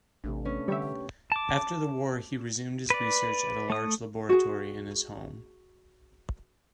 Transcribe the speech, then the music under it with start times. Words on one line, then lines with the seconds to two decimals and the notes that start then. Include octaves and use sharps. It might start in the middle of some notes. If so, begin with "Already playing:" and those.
After the war, he resumed his research at a large laboratory in his home.
0.24 A1 C3 A3 D4
0.45 A3 B3 C#4 D4
0.68 D3 G3 G4 C#5 E5
1.32 A5 D6
2.90 B4 D5
3.70 A3 D#6
4.29 F#4 G#4